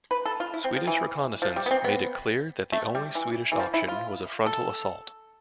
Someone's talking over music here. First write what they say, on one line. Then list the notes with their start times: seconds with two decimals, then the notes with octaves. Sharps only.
Swedish reconnaissance made it clear that the only Swedish option was a frontal assault.
0.11 B4
0.26 A4
0.40 F4
0.54 E4
0.64 C4
0.76 F3
0.87 E3
1.42 F3
1.56 G3
1.66 B3
1.71 C4
1.84 B3
2.72 A3
2.95 G3
3.15 E3
3.52 E3
3.59 F3
3.74 E4
3.88 F4
4.46 A4